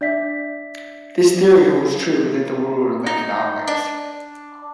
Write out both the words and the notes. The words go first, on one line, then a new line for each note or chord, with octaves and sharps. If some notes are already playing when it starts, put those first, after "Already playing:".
This theory holds true within the world of economics.
D4 D5 E5 B6
D#4
D4